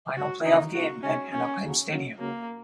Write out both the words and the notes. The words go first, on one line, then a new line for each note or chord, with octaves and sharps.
Final playoff game at Anaheim Stadium.
G#2 D#3 F#3 F#4
C#3 F#3 A#3 D#4
C#2 C#3 A#3 D#4 F#4
C#3 G#3 C#4 D#4
D#2 C#3 A#3 C#4
D#2 C#3 F#3
C#3 F#3 A#3
C#2 C#3 F#3 A#3